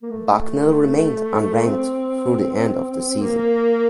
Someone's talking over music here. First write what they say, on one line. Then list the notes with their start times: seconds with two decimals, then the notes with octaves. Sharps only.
Bucknell remained unranked through the end of the season.
0.02 A#3
0.11 A3
1.66 C4
3.21 A#3